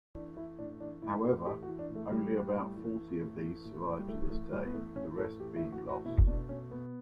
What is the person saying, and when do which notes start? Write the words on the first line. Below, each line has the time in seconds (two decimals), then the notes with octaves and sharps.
However, only about forty of these survived to this day, the rest being lost.
0.15 E3 D4
0.37 E3 E4
0.59 A2 D4
0.80 E3 D4
1.02 A2 E4
1.24 A2 F#4
1.46 E3 G4
1.63 F#4
1.68 E3
1.79 D4
1.90 A2
1.95 A3
2.12 E3 G3
2.34 A2
2.55 A2
2.77 E3
2.99 E3
3.21 A2
3.43 E3
3.65 A2
3.87 A2
3.99 G3
4.09 E3 A3
4.30 E3 A3
4.52 A2 G3
4.65 B3
4.74 E3 A3
4.96 A2 C#4
5.18 A2 A4
5.40 E3 G4
5.56 E4
5.61 E3
5.72 F#4
5.83 A2
5.89 F#4
6.05 B2 E4
6.27 B2 D4
6.49 B2 C#4
6.71 B2 B3